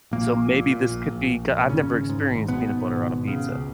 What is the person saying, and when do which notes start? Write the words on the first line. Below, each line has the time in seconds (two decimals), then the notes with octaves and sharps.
so maybe this could be c I've never experienced peanut butter on a pizza.
0.11 A#1 A#2 A#3
0.32 A#1
0.52 A#2
0.72 A#2
0.90 A#1
1.11 A#1
1.30 A#1
1.51 A#2
1.69 G#1 C#3 C#4
1.90 G#1
2.09 G#2
2.29 G#1
2.48 G#1 B2 B3
2.69 G#2
2.89 G#1
3.08 G#1
3.28 C#3
3.48 C#2